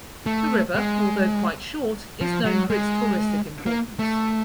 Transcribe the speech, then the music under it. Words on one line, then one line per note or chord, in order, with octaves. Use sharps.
The river although quite short is known for its touristic importance.
A3
G#3
F3
F#3
G#3
A#3
A3